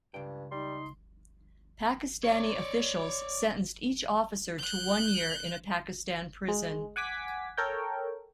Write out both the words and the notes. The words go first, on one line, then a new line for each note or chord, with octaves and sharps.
Pakistani officials sentenced each officer to one year in a Pakistan prison.
C#2 G2 G5
G3 D#4 C6
C#5 D5
F#6 G6
G#3
F#5 G#5 D6 B6
A4 A#4 C#5 G5